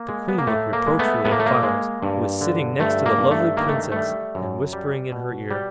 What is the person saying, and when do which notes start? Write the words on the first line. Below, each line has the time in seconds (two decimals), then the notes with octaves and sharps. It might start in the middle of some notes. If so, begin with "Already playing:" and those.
The Queen looked reproachfully at Files, who was sitting next to the lovely Princess and whispering in her ear.
Already playing: A#3
0.09 G#3
0.28 B3
0.38 A#3
0.47 A2 A3
0.73 A#3
0.86 G#3
0.99 A3 B3
1.25 A2 B3
1.32 A#3
1.40 A3
1.46 A#3
1.63 G#3
2.03 G2
2.41 D3
2.80 G2 A3
3.06 A#3
3.18 G2
3.31 A3
3.57 D#3 A#3
3.69 A3
3.92 G3 A3
4.35 F#2
4.73 G3
5.12 B2
5.50 G3